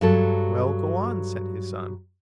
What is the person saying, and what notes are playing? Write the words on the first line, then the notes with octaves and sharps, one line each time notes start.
"Well, go on!" said his son.
G2 F#3 A4